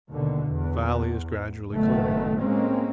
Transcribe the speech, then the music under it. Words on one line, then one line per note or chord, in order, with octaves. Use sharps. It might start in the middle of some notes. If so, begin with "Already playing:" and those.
The valley is gradually clearing.
D#2 B2 D3
E2
F#1 A2 D#3 A3 B3
A2 G#3 A#3 C4 C#4